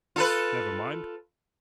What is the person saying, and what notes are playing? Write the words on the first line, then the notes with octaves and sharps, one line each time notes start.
Never mind.
F4 A4 B4